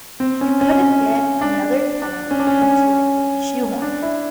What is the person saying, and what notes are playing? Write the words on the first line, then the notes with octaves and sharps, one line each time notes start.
You couldn't get another tenant into it with a shoehorn.
C4
C#4
C#4
C#4
D4
D4
C#4
D4
C#4
C#4
D4
E4